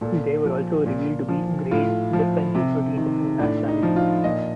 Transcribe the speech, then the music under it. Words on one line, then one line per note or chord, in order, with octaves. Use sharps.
There were also revealed to be grade differences between different nationalities.
A#2 A4
F3
A#2
F3
A2 F4
F3
C3
D#3
A2 D4
D#4
F3
F4
A#2 D#5